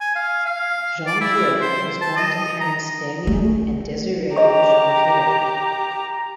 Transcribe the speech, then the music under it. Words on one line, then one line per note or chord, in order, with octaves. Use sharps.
Jeanpiere was born to parents Damion and Desiree Jeanpiere.
G#5
F5
F5
D5
E4
C5
A5
D#5
A#5
A3
G4 G#4 D#5 A#5 C#6